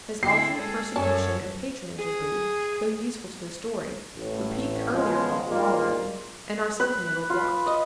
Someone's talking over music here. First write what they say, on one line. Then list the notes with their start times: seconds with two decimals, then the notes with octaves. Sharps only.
His alternate persecution and patronage of Booth, though useful to the story, repeat the earlier fault of Allworthy, and are something of a blot.
0.23 D3 C4 E4 G4 C7
0.56 G#3 G#4 A4
0.96 F#2 C#4 A4 C#5 A5
1.99 G#4
4.15 A1 A2
4.93 A1 C#3 F3 G#3 B3 F4
5.47 G#2 G3 G#3 A#3 F4
6.80 B4
7.30 F4
7.66 D#5